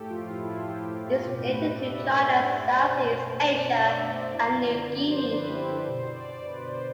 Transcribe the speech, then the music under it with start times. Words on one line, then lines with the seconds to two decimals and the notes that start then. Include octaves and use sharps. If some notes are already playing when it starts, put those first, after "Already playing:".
It is native to China, Southeast Asia and New Guinea.
Already playing: A2 A3 G4 A4
0.10 F3 F4
0.29 A2 E4
0.42 E4
0.49 A2 F4
0.67 F3 G4
0.87 A2
1.06 A2 F4
1.26 B2 G4
1.45 A3 B4
1.64 B2 D5
1.83 A3 E5
2.03 A3 C5
2.22 A3 D5
2.41 D4 D5
2.60 D4 D5
2.79 B2 C5
2.99 A3
3.18 A3 C5
3.38 D4
3.56 B2 D5
3.76 B2 E5
3.95 A3 E5
4.15 D4 D5
4.34 E4
4.53 F3
4.72 D3
4.91 D3
5.10 D3 C5
5.30 D3 B4
5.49 E4 G4
5.68 D3 A4
5.88 B2 C5
6.07 B2 D5
6.26 B2 D5
6.45 B2 B4
6.65 B2 C5